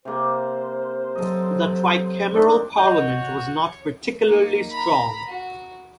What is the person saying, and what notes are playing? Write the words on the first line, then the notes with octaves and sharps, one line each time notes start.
The tricameral parliament was not particularly strong.
C3 A#3 C5
F#3 A4 D#5
C4 D4 D#4
F#4 C#5 D#5 G6
A#3 D#4
A#5 B5
F#4